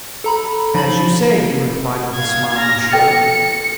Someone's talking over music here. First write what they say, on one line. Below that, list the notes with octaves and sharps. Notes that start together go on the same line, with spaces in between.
"As you say," he replied with a smile and shrug.
A4 A#5 B5
F3 D#4 B5 A6 F#7
F5 G#6
F6 A#6
A4 G5 A6 C#7